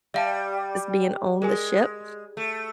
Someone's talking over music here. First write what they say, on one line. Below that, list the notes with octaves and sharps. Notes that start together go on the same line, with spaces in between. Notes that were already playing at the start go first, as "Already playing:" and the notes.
is being on the ship
G3 E5 F5 A5
G#3 G#4 A#4 G#5
A3